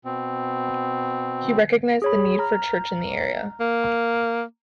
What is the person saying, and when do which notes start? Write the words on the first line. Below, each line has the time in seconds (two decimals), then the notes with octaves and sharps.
He recognised the need for church in the area.
0.05 B2 C4
2.02 G#4 C#5 B5
2.39 A#5 F6
3.60 A#3